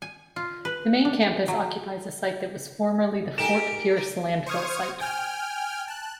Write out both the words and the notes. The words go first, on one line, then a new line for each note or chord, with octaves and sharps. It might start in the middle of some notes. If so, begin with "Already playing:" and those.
The main campus occupies a site that was formerly the Fort Pierce landfill site.
G#5
F4
B4
D4
F#3
D#4 G4 A4 A#4 G5 G#5 D7 E7
C5 C#6 D#6 F6 G#6
G5 G#5 F6
A5 F#6